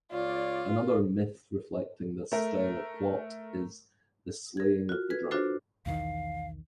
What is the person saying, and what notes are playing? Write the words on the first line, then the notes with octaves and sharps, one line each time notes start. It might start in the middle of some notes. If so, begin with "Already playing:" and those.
Another myth reflecting this style of plot is The Slaying of the Dragon.
C#2 F4 C#5 D5
A3 A#4
A#4 G#6
F4 F#4
B4 G#6
D4 F4 F#4 A4 C5
B1 E2 D#3 F5